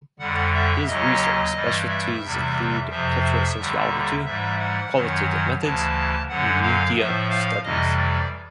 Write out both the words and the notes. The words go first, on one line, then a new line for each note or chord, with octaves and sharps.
His research specialties include cultural sociology, qualitative methods and media studies.
F2 D3 G3 F#5
E5
D#2 C#3 F#3 D#5
G2 E3 G3
E5
E2 C3 E3 G3
F2 C3 F3 E5
E5
D#2 D3 G3
G#2 E3 G3 E5
F#5
F#2 D#3 F#3
D2 C#3 E3 A5
F#2 D3 F#3 F#5
F5
A2 F3 E5
F5
F2 C3 E3 G3 D#5
D5